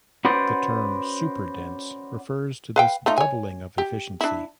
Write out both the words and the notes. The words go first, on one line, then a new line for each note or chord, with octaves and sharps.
The term "superdense" refers to this doubling of efficiency.
C#4 F#4 B4 C5 D5
B4 F5 G5
A3 D#4 F4
C#5 G#5
G4
D4 E4